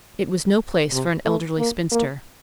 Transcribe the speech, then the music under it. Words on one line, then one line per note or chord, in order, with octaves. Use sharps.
It was no place for an elderly spinster.
C3
A3
A#3
A#3